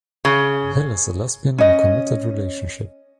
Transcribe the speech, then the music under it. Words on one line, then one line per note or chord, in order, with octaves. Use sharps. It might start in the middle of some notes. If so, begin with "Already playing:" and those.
Hill is a lesbian in a committed relationship.
C#3
C#4 D#5